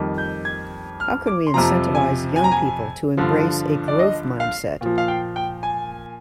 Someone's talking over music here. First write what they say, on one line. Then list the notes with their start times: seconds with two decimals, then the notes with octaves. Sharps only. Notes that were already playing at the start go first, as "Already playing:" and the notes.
How can we incentivise young people to embrace a growth mindset?
Already playing: F2 D#3 G3
0.18 G6
0.45 G#6
1.00 F6
1.27 D6
1.47 C6
1.54 F2 C3 F3 A#5
1.95 G#5
2.36 G#5
2.44 A#5
2.51 G#5
3.17 G2 D3 F3
3.88 D5
3.99 D#5
4.40 F5
4.81 A#2 F3
4.98 F5
5.08 G5
5.36 G5
5.63 G#5